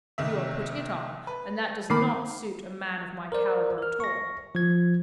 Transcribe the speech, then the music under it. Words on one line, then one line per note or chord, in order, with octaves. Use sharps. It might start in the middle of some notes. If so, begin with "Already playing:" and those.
You are putting it on, and that does not suit a man of my caliber at all.
C2 D#3 E5
B4
D#3 A#3 B5 D6 C7
A#4 C5 D5
A#4 F6
C#6 A#6
F3 G#6